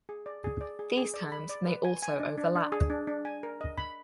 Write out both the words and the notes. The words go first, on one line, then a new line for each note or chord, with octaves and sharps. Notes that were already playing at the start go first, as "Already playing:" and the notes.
These terms may also overlap.
G#4
D5
G#4
D5
G#4
G#4
D5
B5
D5
B4
G#5
G#5
D4
D4
D4
G#4
D4
D4
G#5
A#4
D#5
B5